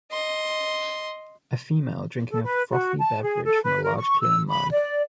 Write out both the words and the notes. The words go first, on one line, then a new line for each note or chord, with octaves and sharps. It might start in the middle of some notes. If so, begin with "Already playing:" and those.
A female drinking a frothy beverage from a large clear mug.
D#5 C6
A4
B4
F#4
A5
G#4
A4
B4
A#4
C#6
E6
B5
D5